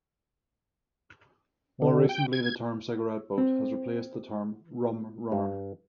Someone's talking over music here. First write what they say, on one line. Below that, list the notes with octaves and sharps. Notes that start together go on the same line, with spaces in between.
More recently the term "cigarette boat" has replaced the term "rum-runner".
D3
G5
G#6
C4
G2